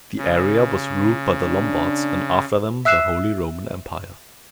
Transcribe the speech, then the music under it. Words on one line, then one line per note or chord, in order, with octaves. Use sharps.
The area was ruled by the Lombards and after them the Holy Roman Empire.
C#3
D4
E5 E6 F#6 C7 E7